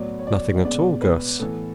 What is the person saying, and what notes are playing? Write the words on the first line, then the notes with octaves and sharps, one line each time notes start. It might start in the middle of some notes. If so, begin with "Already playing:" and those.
"Nothing at all, Guss."
Already playing: A2 F#3 B3 D5
C#5
D5
B2 G#3 B3 D5
B4
A2 E3 B3 A4